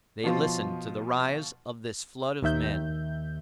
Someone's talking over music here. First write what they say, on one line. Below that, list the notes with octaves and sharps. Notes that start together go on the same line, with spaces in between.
They listened to the rise of this flood of men.
B2 F3 F4 C6
D#2 D#3 E5 G6